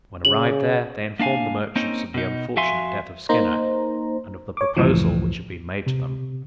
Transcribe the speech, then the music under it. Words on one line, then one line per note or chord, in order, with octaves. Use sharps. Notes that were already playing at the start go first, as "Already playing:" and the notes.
When arrived there, they informed the merchants of the unfortunate death of Skinner, and of the proposal which had been made to them.
C#3 F#7
A#3 D4 F5 G#5
A#3 C4 C#4 D#4
B2 D#4
F2 F#4 E5 F5 G#5 C6
A#3 D#4 C5 A#5
C#5 D6
C#2 F#2 A2 E3 F3
C3